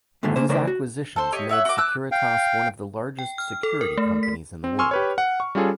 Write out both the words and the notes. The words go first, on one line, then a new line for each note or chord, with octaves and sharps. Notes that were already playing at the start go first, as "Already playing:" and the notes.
These acquisitions made Securitas one of the largest security companies in the world.
D#2 A#2 D3 G#3 A3
C#3 A#3 C5
C#3 A3 A#4 C5 D5
F#4
A4 C5
G4 C#5 D#5
C#5 E5 F#5
F#4 D6
D6 E6 F#6
F5 G5
G5
F6
A4
A#4
A3
B6
C4
G#5 C6 C#6 E6 F6
G4 B4 C#5
F#5
C#6
G3 C#4 F4 G#4 A4